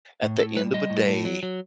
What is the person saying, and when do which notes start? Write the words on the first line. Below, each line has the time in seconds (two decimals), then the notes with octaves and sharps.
at the end of a day
0.22 A2
0.39 A2 A4
0.56 G3 B4
0.74 G3 D#5
0.90 A2
1.08 A2
1.25 F#3
1.43 F#3